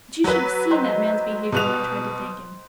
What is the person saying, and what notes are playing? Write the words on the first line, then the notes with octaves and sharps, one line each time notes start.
But you should have seen that man's behavior when I tried to thank him.
F#3 B4
D#4 C5 G5
B2 F#6 F7